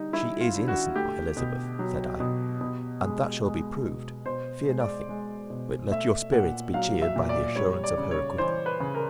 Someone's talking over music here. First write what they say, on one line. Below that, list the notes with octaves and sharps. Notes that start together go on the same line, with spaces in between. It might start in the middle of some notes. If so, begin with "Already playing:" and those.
"She is innocent, my Elizabeth," said I, "and that shall be proved; fear nothing, but let your spirits be cheered by the assurance of her acquittal."
Already playing: D3 G3 D#4
G3 E4
F4
D3
F#4
A3 G4
B2
F#3
B2
B2
G#3
G#3
B2
B2 C5
G#3
D5
G#3
B2
A3 E5
A#2 F#5
F#3 F5
E5
A#2
D5
G3 C#5
D5
C#3
C#5
E3 C5
B4
C#3
A#4